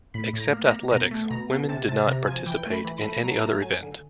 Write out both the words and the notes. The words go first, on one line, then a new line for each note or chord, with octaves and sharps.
Except athletics, women did not participate in any other event.
A2 B5
A2
A#5
A#3
A#5
A#3
B2 A#5
A3
B2 A#5
B2
C3 A5
C3 A5
C3 A#5
F3 G#5
E3 G5
A3
B5
E3
B5
A3
F#3 A#5
A5
A#5
A3
F#3 G#5
D3